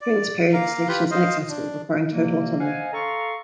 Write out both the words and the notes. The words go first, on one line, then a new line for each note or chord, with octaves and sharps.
During this period, the station is inaccessible, requiring total autonomy.
D5
A#3 F5 A#5
F4 G4 B4
C5 D#5 F5
D4
C3 E3 G3 A#3
C5 D#5 F5 F#5 G#5
A4 F5 A#5 C6 C#6